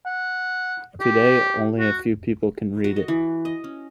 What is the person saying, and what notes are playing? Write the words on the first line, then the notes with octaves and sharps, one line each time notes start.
Today only a few people can read it.
F#5
G4
F#4
F#4
D#5
E3
D#5
C#4